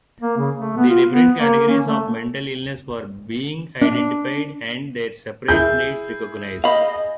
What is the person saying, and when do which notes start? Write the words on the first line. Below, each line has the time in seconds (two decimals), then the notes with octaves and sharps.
The different categories of mental illness were being identified and their separate needs recognised.
0.22 A#3
0.37 C#3
0.58 A3
0.77 B3
0.90 F4
1.11 B3
1.36 A#3
1.68 C#4
1.87 A3
3.81 D4
5.48 E4 G#4 G6
6.64 D#5 F5 B5